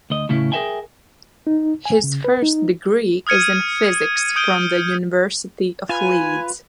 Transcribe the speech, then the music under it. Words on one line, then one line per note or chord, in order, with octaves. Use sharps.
His first degree is in Physics from the University of Leeds.
D2 D#5
A2 C#3 C#4 E4
G#4 A#4 C#5 E5 G5 G#5
D#4
G#5
C#3
B4
D#4
D#6 F6 G#6 C#7 D#7
D#6 G6 D7 D#7 G7
F4 B4 G#5